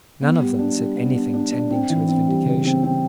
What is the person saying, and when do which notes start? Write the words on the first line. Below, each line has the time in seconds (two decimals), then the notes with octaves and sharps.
None of them said anything tending to his vindication.
0.21 B3
0.40 G3
0.59 D4
0.77 G3
0.96 B3
1.15 D4
1.34 D4
1.52 D4
1.71 C4
1.90 E3
2.08 C4
2.27 G3
2.46 C#3
2.65 C4
2.83 C4